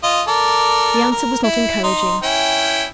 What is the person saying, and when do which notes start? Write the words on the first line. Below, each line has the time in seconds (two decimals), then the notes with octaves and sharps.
The answer was not encouraging.
0.03 F4 D#5
0.28 A4 A#4 D5
1.12 A#4
1.44 E4
1.84 D#4 C6
2.23 C#4 E4 G5